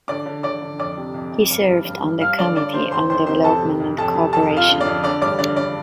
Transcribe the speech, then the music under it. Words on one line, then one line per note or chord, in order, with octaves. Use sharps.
He served on the Committee on Development and Cooperation.
D3 D5 D6
D3
D3 D5 D6
D3
F2 D5 D6
C3
F2
F2
G2
G2
G2
G2
G2 F5 F6
D3 D5 D6
D3 D5 D6
D3 C5 C6
F2 C5 C6
F2 C5 C6
C3 C5 C6
F2 A4 A5
C3
F2
F2 A4 A5
C3
F2 A4 A5
F2
F4 F5
D3
D5
F2
D3 D5 D6
G2 D5 D6
D3 D5
D3 D5